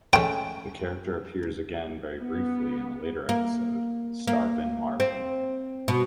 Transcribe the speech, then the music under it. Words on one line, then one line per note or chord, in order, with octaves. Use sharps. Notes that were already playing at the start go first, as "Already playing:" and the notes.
The character appears again very briefly in a later episode, Starvin' Marvin.
G#3 A3 C#4 G5
B3
A#3
A#3
C4
B2